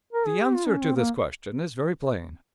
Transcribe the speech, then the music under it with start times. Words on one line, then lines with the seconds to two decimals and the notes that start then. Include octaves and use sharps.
The answer to this question is very plain.
0.13 A#4
0.27 G#4
0.41 G4
0.55 F4
0.69 C#4
0.83 C4
0.96 A#3